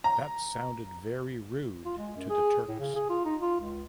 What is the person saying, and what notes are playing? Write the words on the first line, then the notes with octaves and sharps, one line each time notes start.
That sounded very rude to the Turks.
A#5
F4
G#3
F#2
G#4
A2
C#3
G#4
F4
D#4
F4
C#2